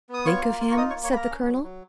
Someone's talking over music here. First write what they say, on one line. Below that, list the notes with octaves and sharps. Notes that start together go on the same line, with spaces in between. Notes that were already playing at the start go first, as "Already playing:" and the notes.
"Think of him?" said the colonel.
B3 D#6
F4 C#5 C#6
A#3
F4
C#6
D#4 D#5 D#6
C#5 C#6
A#3
C#5 C#6
A#3 A#4 A#5 B5
C#4
F#3
F#3